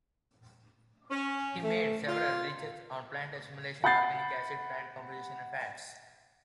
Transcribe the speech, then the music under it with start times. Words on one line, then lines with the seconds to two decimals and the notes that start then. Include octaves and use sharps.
He made several research on plant assimilation, organic acids, plant composition and fats.
1.11 C#4
1.63 A3
2.07 F4
3.84 F#5 B5 G6 A6 C7